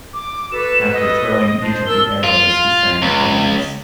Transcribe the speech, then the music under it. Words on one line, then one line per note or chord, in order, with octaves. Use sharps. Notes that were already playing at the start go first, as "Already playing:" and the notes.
After throwing each of the arrows he sang paeans.
D6
F#4 A4 B4 E7
D#5
D4 C5
A#4 A5 E6 G7
F4
C#2